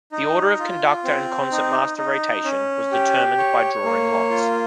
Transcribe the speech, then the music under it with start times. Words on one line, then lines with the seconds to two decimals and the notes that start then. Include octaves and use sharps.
The order of conductor and concertmaster rotation was determined by drawing lots.
0.12 D#4
0.59 F4
1.04 C4
1.52 D#4
1.98 D#4
2.44 C#4
2.92 G4
3.38 C#5
3.84 A#3
4.30 F4